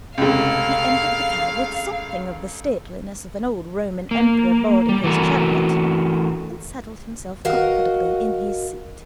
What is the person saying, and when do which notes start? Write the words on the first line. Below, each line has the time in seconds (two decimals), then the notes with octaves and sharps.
He entered the cab with something of the stateliness of an old Roman Emperor boarding his chariot, and settled himself comfortably in his seat.
0.18 F1 C#2 F5
4.11 A#3
4.89 G3
5.04 E3 A3 F#4 A#4
7.45 F#4 A#4 D#5 F5 F#5